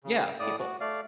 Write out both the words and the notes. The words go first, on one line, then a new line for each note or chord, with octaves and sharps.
Yeah, people,
C#3
A2 D5 D#6
F#4
A3 D5 F5